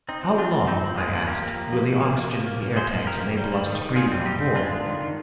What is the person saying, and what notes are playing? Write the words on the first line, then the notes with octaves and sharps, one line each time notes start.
"How long," I asked, "will the oxygen in the air tanks enable us to breathe on board?"
C4 D#4
F3
C4 D4 F4
C4
C4 D#4 G4
F3
A#3 F4 G#4
F3
F3 G4 A#4
A#3
A#3
F3
F3
A#3
A#3
F3
A#3
A#3
F3 G#4 C5
F3
F3 G4 A#4
A#3
G3
G3
D#3
D#3
G3 F4 G#4
C4
G3 D#4 G4
C4
G#3 D4 F4
G#3
D#3
D#3